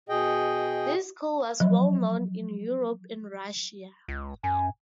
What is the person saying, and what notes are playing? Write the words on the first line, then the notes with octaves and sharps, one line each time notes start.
This school was well known in Europe and Russia.
B2 G#4 D#5 G5
F3 F#3
C#2
F#2 G#5